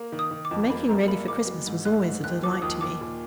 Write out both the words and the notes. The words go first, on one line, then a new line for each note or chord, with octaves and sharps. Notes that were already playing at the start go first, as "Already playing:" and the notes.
The making ready for Christmas was always a delight to me.
Already playing: A#3
D#3
D#6
D#3
D6
F2
A#3 B5
F#2 A#5
A#3 B5
F#1 D6
F#3
G#2
G#2 F#6
G#2
D#2 F#6
F3 D6
D#2 D#6
D#2 D6
A#2